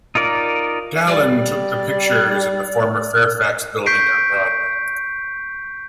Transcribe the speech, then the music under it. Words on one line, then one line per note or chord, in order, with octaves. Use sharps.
Dallen took the pictures in the former Fairfax building on Broadway.
D#4 F4 A#4 D5
G3 D5
C#6 G6 B6 C7 D7